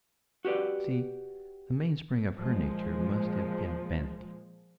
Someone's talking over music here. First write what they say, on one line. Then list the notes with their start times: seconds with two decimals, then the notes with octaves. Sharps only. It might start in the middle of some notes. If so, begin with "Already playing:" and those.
You see, the mainspring of her nature must have been vanity.
0.45 F#4 G4 B4 D5
2.36 A#2 F3 G#3